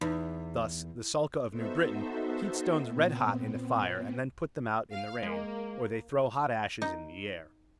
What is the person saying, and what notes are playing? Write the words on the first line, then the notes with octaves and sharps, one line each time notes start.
Thus the Sulka of New Britain heat stones red hot in the fire and then put them out in the rain, or they throw hot ashes in the air.
E2 D#4
B3 D#4 F#4 A4 C5 E5
A#2 B3 C4
F5
G#3 A#3
D#4